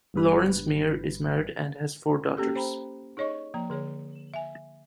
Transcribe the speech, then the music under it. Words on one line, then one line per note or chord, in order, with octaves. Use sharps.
Laurenz Meyer is married and has four daughters.
G1 G2 B4
A#3 C#4 G4 A4
C5 G5 A#5 B5
D#4 G#4 C#5 D#5 C#6
F3 A#3 A#5
D3 G#4 C#5
E5 G#5